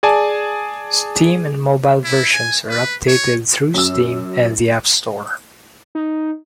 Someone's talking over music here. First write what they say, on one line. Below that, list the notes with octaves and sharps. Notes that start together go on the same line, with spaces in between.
Steam and mobile versions are updated through Steam and the App Store.
G#4 D5 G#5 A5
E4
G#5
B4
C#5
F#2 E6
D#4